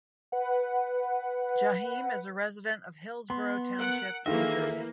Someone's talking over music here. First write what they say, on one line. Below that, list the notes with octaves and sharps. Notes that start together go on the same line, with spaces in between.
Jaheim is a resident of Hillsborough Township, New Jersey.
B4 F#5
B3 C6
A#4 F#5 D7
D#3 E3 A#3 F4 G#4 A4 E5 A#6